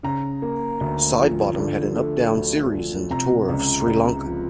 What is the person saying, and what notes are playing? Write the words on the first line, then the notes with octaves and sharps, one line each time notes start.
Sidebottom had an up down series in the tour of Sri Lanka.
C#3 A#5
A#3
D2
F3
D3
A3
D2
F3
C3 A#5
C#2
C#2
F3